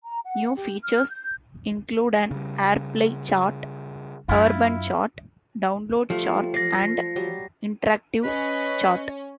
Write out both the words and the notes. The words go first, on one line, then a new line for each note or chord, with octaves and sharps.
New features include an Airplay Chart, Urban Chart, Download Chart and Interactive Chart.
A#5
F#5
G4
F6
G6
C#3 G3
F#2 D4 E4 F4
F3 G3 A3
D5 A#6 C7
F#3 G3
C#4 B4 D#5